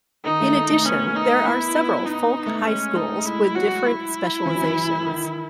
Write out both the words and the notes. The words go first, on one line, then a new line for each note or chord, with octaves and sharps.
In addition, there are several folk high schools with different specialisations.
D#3 D#4
A3
A3
A3
B3 C#4
D#4
B3 E4
B3
B3 D#4
A3
G#3 C#4
A3 D#4
G#3 E4
F#3 F#4
E4
E3
F#3
E3
D#3